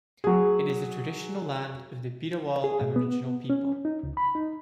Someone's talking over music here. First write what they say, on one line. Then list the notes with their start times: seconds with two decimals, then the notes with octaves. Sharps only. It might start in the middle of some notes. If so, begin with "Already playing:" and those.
It is the traditional land of the Bidawal Aboriginal people.
0.24 F#3 G#4
2.64 G#4
2.81 A2
2.96 B3
3.50 C#4
3.85 D#4
4.03 C#2
4.17 B5
4.35 D#4